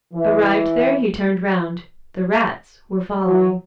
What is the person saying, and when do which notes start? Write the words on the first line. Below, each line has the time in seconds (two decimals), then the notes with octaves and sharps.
Arrived there he turned round; the rats were following.
0.13 E3
3.25 F#3